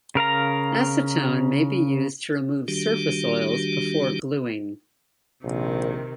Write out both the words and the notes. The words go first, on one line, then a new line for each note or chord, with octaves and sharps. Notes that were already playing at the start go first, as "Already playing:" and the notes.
Acetone may be used to remove surface oils before gluing.
C#3 A#4 F5 A#5
D#3 G3 D4 F#4 G4
A#1 C3 D#3